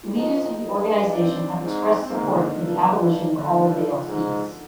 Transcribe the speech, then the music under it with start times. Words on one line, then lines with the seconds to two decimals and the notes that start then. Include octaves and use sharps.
Leaders of the organization have expressed support for the abolition of all bail fees.
0.15 F2 D#4
0.64 G2
1.12 D4
1.21 C4
1.29 D4
1.61 G#2
2.01 C4
2.10 G#2 A#3
2.22 D3
2.35 D3
2.46 D#3
2.59 G2
3.38 D3
3.47 D#3
3.57 G2 F3
4.06 G#2